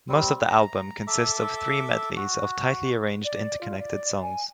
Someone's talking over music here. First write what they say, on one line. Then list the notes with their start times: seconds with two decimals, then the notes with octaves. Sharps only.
Most of the album consists of three medleys of tightly arranged interconnected songs.
0.09 G3 C4
0.48 A#5
1.07 A4 E5 D6
2.16 F#4
3.24 D5
3.61 F4
3.79 D5
4.22 G#5